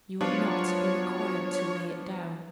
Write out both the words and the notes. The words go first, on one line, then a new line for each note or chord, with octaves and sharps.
'You would not be required to lay it down.'
F3 F#3 B3 D4 F4 C#5